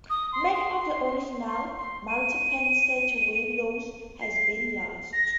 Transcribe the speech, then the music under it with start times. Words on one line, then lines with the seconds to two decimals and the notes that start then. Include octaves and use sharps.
Many of the original multi-pane sash windows have been lost.
0.10 D#6
0.32 C6
0.55 C6
1.47 C6
1.77 C6
2.08 D#7
4.21 C7
5.13 A#6